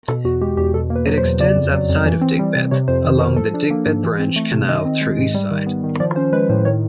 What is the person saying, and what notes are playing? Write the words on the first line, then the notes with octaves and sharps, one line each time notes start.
It extends outside of Digbeth, along the Digbeth Branch Canal through Eastside.
B2 A4
E2 F#4
G#3 G4
E2 G4
B2 A4
A#3
B4
F#3
C5
E2
C#3 D5
F2
F#3
F2
E3
C4
G3
C3
C3 C#5
F2 C5
D#3
F2 A#4
F3 A4
D4
A#3
G#2
E3
C4
A3
C3
D#3 D#5
C4
G#3
G#2
G3
D#3
B3
D#3
F3 D5
C#4 C5
G#3 B4
A2 C5
D#3 C#5